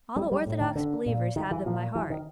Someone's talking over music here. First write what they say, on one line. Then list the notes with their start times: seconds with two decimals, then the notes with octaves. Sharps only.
All the orthodox believers have them by heart.
0.16 G3
0.32 G3
0.46 A2
0.61 D#3
0.76 D3
1.06 A#2
1.36 D#3
1.51 E3
1.65 A#2 F3
1.95 E3
2.10 D#3